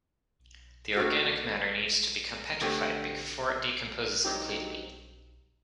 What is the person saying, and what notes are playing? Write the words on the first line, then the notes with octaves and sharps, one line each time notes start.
The organic matter needs to become petrified before it decomposes completely.
D#3 A3 D4 F#4
G2 D3 A3 C4 G4
G2 F#3 C4 D#4 G4